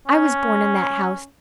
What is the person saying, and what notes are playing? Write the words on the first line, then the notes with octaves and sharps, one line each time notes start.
I was born in that house.
C#4